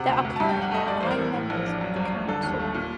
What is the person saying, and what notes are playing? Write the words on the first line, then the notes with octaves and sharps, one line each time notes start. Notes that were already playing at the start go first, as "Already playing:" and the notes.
There are currently nine members of the council.
Already playing: C3 F#5
D2
D2
G2 A5
G5
G1
F#5
A3 D#5
G2 D5
A1 C5
A#4
A1
A2
A#1
D4
F#2
G1
G1
D3 A4
D#2
A3
A#2